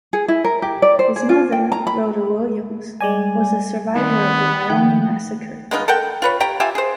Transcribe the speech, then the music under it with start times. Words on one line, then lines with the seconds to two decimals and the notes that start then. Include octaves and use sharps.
His mother, Rhoda Williams, was a survivor of the Wyoming Massacre.
0.13 G#4
0.28 E4
0.44 A#4
0.62 G4
0.82 D5
0.99 C5
1.16 G#4
1.29 F4
1.52 G5
1.72 A#5
1.87 B5
3.01 G3 G#3 D5 G#5
3.96 D#3 B3 C4 D#4 D5
4.70 D#3 F3 F#5 G5
5.71 G#3 B3 D#4 F4
5.88 A4 A#4 F#5 G5
6.22 F4 B4 C#5
6.40 G4 C#5 G5 A#5
6.60 F4 G4 E5 G#5
6.75 G#4 C5